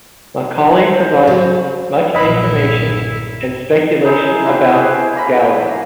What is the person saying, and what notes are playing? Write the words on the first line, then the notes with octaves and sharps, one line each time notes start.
Macaulay provides much information and speculation about Gower.
C5
F#3
B1 G2 A#2 E4 D#5 B5
D#4 E4 G#4
E4 F#4 C5 G5
G4 G#4 B4 C#5
A#3 A#5 B5